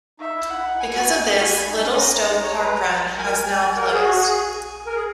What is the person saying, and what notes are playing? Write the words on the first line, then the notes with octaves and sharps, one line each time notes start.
Because of this, Little Stoke Parkrun has now closed.
D#4 E5
E4
E4 F#5
D#4
E4 G#5
F#4
F#4
G#4
F#4
E4
D#4
C#4
B3 A#5
A#3
D#4
C#5
B4
A#4 G#5
A#4 F#5
G#4
F#4
G#4
G#5
A#4
G#4